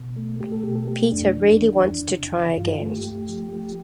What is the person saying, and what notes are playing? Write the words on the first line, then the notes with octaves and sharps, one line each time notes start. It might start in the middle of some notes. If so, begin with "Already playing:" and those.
Peter really wants to try again.
Already playing: B2
A3
A3 G4
A4
B2 G4
A4
A3 G4
F2 D4
E3
E3
F2
C3
E3
G2 F4
A3
G4
A3
F3
A3